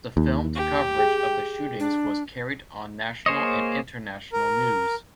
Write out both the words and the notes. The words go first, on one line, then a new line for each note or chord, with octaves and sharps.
The filmed coverage of the shootings was carried on national and international news.
D#2
G4
G#4 G5
D4
A#3 G#4 C5 C#5 D#5
A#4